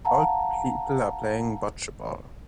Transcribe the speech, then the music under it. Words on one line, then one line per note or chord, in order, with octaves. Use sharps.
Old people are playing bocce ball.
F5 F#5 A5 A#5